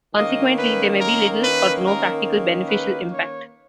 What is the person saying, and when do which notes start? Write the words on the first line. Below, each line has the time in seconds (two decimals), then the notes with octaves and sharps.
Consequently, there may be little or no practical beneficial impact.
0.15 D#3 A#3 C#4 D#5
0.57 B4
0.99 A#4
1.41 B4
1.84 A#4
2.68 B4
3.11 C#5